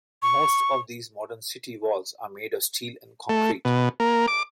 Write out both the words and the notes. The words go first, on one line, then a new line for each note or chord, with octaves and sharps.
Most of these modern city walls are made of steel and concrete.
C#6
A3
B2
A#3
D6